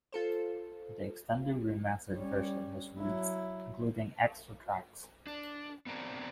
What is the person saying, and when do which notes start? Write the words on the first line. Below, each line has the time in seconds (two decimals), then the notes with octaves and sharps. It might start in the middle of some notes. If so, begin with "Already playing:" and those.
An extended re-mastered version was released, including extra tracks.
0.12 F4 A4 C5
2.13 G3 C#4
2.99 F#3 E4
5.27 D4
5.86 B3 C4 D4 A#4